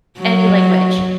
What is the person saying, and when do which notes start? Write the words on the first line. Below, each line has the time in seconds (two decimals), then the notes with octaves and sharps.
any language,
0.19 F#3